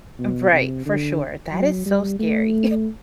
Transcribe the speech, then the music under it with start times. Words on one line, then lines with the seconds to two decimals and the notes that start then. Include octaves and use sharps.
Um, v right, for sure, that is so scary.
0.19 B2
0.52 C3
0.85 D3
1.52 F#3
1.86 G3
2.19 A3